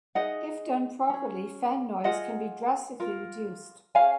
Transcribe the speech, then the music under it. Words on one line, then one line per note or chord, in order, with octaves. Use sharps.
If done properly fan noise can be drastically reduced.
D#4 G#4 D#5 F#5
C#4 G#4
F4 G#4 D#5 F#5
F4 A#4
C#4 G#4 F5 G#5